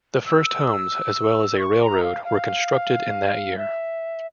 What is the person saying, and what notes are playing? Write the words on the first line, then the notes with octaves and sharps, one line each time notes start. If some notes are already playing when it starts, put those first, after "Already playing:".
The first homes, as well as a railroad, were constructed in that year.
E6
C#6
A#5
F5
F5
E5